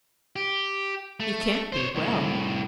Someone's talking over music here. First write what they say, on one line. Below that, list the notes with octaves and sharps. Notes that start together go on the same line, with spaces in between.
'You can't be well.
G4
A3
C5 C#5
C2 A2